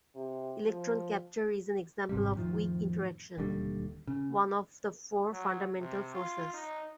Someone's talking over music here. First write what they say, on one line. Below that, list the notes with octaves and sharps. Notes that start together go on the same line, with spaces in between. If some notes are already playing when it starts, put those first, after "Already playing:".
Electron capture is an example of weak interaction, one of the four fundamental forces.
C3
F3
G#1 G#2 C3 G3
F2 A2 D#3 F3
E1 D#2 D3 G3
C#3
F#3
C3
F4
D#4